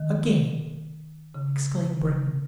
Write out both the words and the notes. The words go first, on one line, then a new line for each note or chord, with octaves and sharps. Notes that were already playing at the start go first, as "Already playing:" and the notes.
"A game!" exclaimed Breton.
Already playing: D#3
C#3
C#3